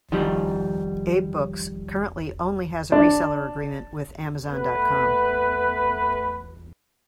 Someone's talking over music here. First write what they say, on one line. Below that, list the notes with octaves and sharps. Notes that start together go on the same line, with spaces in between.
AbeBooks currently only has a reseller agreement with Amazon.com.
D#3 F3 G3
D4
A3 B3 B4